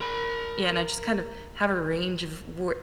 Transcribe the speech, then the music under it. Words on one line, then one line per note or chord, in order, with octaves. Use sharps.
Yeah, and I just kind of have a range of where
A#4 B5